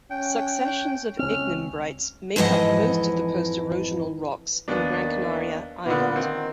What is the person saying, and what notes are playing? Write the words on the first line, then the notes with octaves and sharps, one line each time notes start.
Successions of ignimbrites make up most of the post-erosional rocks in Gran Canaria Island.
C#4 G5
C#2 C4 C#4 F6
F2 G#2 E3 D#5 F#5
D#2 D#3 B3 D4
A#2 D3 B3
D#3 C4